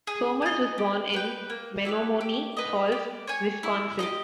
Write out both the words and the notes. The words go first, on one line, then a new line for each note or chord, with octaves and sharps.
Somers was born in Menomonee Falls, Wisconsin.
G#4
D#5 G#5
G4
B4 G5
A#3
E4 G4 B4
G4
B4 D#5
G4
C#5 G#5
E4
G4 A#4 D#5